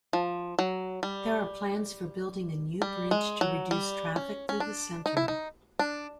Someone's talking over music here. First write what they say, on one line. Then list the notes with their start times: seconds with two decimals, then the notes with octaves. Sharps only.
There are plans for building a new bridge to reduce traffic through the center.
0.13 F3
0.59 F#3
1.03 G3
2.82 G3
3.11 G#3
3.41 F#3
3.71 G3
4.16 C#4
4.49 C#4
4.60 D4
5.06 D#4
5.17 E4
5.28 D#4
5.79 D4